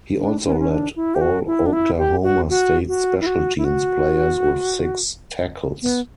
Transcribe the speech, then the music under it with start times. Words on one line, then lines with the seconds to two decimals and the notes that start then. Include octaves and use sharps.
He also led all Oklahoma State special teams players with six tackles.
0.19 D4
0.45 C#4
0.52 B3
0.59 C#4
0.70 D4
0.96 E4
1.15 G4
1.21 F#4
1.47 E4
1.66 D4
1.73 E4
1.98 G4
2.23 F#4
2.50 F#4
2.88 F#4
3.21 E4
3.26 F#4
3.58 E4
3.64 F#4
5.82 B3